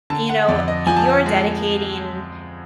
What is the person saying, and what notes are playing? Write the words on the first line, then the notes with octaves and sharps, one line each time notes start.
you know, you're dedicating
D3 A5
F#5
F2 D5
D#5
F3 G#5
A5
G#5
G#3